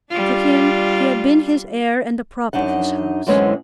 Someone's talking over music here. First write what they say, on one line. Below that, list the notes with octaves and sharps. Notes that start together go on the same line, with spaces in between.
To him he had been his heir and the prop of his house.
G3 D4 F4
F#2 D4 D#4 F#5
F#2 D3 E3 G#3 C4 C#4